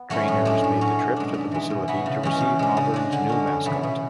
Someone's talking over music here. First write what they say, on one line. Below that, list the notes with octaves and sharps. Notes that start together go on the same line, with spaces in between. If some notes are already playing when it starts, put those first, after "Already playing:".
Trainers made the trip to the facility to receive Auburn's new mascot.
Already playing: B3
F#3 A3 C#4 E4
A2
G#3 D4
A2
F#3 C#4
B2
G#3 D4
G#2
E3 G#3
B2
F#3 B3 E4
C#3
E3 G#3 C#4
B2
G#3 D4
C#3
G#3 D4
D3
G#3 C#4
F#2
C#3 E3 B3 E4
B2